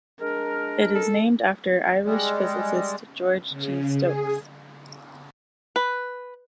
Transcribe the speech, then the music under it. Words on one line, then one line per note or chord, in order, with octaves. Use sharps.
It is named after Irish physicist George G. Stokes.
G#3 D4 A#4
A4
G3 G#3
C#3
G#4
B4